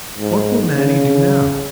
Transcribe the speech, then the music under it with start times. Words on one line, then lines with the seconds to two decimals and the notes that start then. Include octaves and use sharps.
What will Nannie do now?
0.18 G#2
0.77 C#3